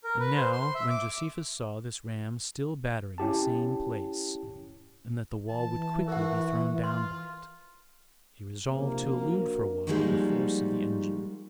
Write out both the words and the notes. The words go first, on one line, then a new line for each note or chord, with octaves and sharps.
And now, when Josephus saw this ram still battering the same place, and that the wall would quickly be thrown down by it, he resolved to elude for a while the force of the engine.
A#4
B4
C5
C6
E5
D6
C#4 E4 G4 A5
E3 A5
F#4 A#4 F#5
F4 C6
A#1 C3 A#3
D4 F#4 A#4
F3 G3 G#3 A#3 D#4 F#4